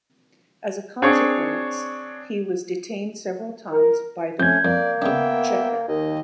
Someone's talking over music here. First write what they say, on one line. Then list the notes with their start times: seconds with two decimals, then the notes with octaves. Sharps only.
As a consequence, he was detained several times by the Cheka.
1.02 C4 D4 G#4 C#5
3.72 A#4
4.40 F2 A3 C#4 G6 G#6
4.65 F2 A#3 D5
5.02 C#3 B3 D4 E5 G5
5.88 D#2 D#3 D#5